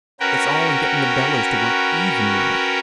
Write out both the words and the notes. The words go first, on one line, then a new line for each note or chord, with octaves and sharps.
It's all in gettin' the bellers to work even like.
C#4 F#4 A#4 B4 G5